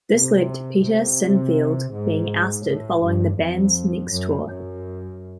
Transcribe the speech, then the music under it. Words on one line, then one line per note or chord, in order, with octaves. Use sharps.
This led to Peter Sinfield being ousted following the band's next tour.
C3
C3
G#2
A2
G2
F2
F#2
F#2